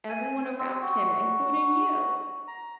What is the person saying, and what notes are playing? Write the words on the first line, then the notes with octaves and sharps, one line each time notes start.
everyone around him, including you.
G#5
C4
F#4
A#5